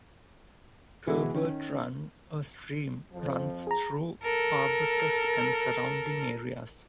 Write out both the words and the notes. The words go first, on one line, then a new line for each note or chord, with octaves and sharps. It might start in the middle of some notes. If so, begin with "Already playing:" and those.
Herbert Run, a stream, runs through Arbutus and surrounding areas.
B2 E3 G#3 E4 F#4
D#3 C#4
F2 F3
G#4 A#5
A4 A#4